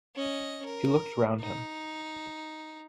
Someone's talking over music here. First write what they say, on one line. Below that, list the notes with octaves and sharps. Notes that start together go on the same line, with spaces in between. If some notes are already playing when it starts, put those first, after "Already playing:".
He looked round him.
C#4 D#5
A#4
D#4